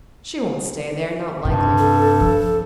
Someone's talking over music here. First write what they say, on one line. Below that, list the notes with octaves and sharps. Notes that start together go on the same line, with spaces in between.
She won't stay there, not likely.
G2 C3
A4
F3